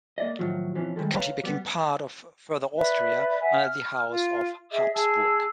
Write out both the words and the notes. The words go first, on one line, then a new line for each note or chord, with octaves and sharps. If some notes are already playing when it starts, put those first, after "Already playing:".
The county became part of Further Austria under the house of Habsburg.
A#3 D5 D#5
A2 D#3 F3 F#3
B2 E3 F3 C4 C#4
D#3 G3 G#3 A4
B4 C#5 F5 A5 A#5
G3 B3
B4 D5 E5
E5 F#5 G#5
F6
F4
G#4 D#5 E5
G#4 A5 E6